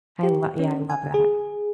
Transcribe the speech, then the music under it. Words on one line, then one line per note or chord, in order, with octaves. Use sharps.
I lo yeah, I love that.
G4
C#4
G#5
G#4